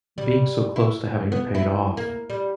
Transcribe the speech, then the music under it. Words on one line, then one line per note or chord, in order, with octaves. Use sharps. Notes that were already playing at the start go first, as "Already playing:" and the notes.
being so close to having it paid off,
G3
E4
B3
E4
A#3
G3